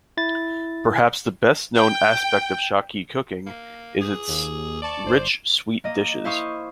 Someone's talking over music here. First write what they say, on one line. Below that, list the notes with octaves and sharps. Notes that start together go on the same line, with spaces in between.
Perhaps the best-known aspect of Shaki cooking is its rich sweet dishes.
E4 A6
G5
A#3
G#4
D#2
D5 A5 C#6
G1 C5
A#3 D#5
E4 C5 F5 C#6 D#6